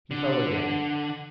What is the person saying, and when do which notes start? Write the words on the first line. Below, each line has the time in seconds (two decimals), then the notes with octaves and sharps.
He fell again.
0.11 D3